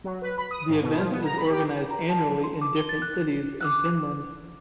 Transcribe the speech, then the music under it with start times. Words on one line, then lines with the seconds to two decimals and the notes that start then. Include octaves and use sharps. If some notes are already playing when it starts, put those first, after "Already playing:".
The event is organised annually in different cities in Finland.
0.04 F#3
0.22 B4
0.38 B5
0.51 D#6
0.69 G#2
0.82 B2
0.97 F3
1.11 B3
1.24 A#5
1.38 B5
1.50 G4
1.91 A#5
2.09 A5
2.27 A4
2.44 C6
2.61 D6
2.76 G7
2.89 A6
3.02 F#6
3.61 D6 E6 F#6